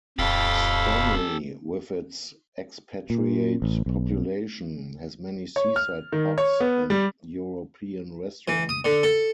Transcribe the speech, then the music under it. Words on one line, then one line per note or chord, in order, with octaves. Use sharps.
Stanley, with its expatriate population, has many seaside pubs and European restaurants.
D1 F2 G4 A4 F5 B5
A#2
A1
B1
C#5
F6
D#3
C#5
B3
G3
E3
D#6
D3
A4